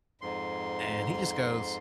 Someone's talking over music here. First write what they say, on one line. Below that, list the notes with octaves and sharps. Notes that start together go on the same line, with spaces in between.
and he just goes,
F2 G#2 C6